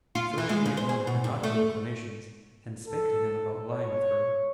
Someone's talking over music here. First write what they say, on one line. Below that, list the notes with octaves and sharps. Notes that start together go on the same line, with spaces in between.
So she made known her naughty inclinations, and spake to him about lying with her.
F4
E3
G#3
C#3
C5
G#4
B2
G2
A3
A4
C#5